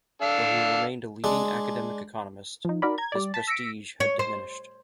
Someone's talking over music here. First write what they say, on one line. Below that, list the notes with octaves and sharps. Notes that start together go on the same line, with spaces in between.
Though he remained a leading academic economist, his prestige had diminished.
D4 A4 F5
G#3 D4
F3 D#4
D#4 F#4 A#4 D5 B5
A#5 G#6
G3 D5
A5 B6
E6 A#6 B6 C#7 D7
C#5
C5